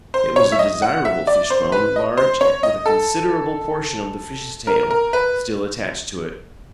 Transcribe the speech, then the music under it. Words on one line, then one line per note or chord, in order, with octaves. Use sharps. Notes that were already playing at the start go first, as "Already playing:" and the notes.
It was a desirable fishbone, large, with a considerable portion of the fish's tail still attached to it.
C5
C#5
E5
D#5
F#5
E5
D5
C5
B4
D#5
C5
C#5
D#5
A4
A#4
A#4
B4